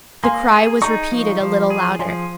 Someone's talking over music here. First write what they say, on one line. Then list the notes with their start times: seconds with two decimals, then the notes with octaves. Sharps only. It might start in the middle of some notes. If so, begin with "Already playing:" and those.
The cry was repeated a little louder.
0.24 A#3 G#5 C6
0.53 G#4
0.82 D#4 A#5 C#6
1.12 F3
1.41 F3
1.70 G#4
1.99 F3 G#5 C6